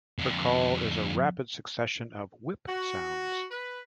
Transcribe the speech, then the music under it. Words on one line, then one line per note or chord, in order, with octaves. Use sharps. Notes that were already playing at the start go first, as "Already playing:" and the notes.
Her call is a rapid succession of "whip" sounds.
F2 D3
F#4
B4